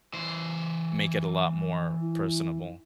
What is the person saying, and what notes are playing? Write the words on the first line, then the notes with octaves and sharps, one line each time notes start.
make it a lot more personable.
E3 C5
E4